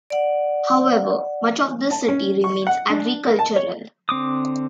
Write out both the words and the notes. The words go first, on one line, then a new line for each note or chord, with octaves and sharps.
However, much of the city remains agricultural.
D5 F#5
A5
C#4
C#6
F#5
D4
A#4
A5
C#5
D3 C4 D6 D#6